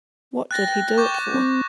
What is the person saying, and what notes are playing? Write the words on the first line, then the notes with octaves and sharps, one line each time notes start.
What did he do it for?
G5 F#6 A6 A#6
C#6 D6 G6
C4